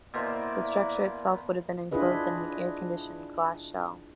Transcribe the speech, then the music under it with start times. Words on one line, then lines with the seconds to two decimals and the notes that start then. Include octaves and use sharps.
The structure itself would have been enclosed in an air conditioned glass shell.
0.14 B2 A#3 E4 C5 D5
1.91 D4 E4 F4 G#4 B4 D#5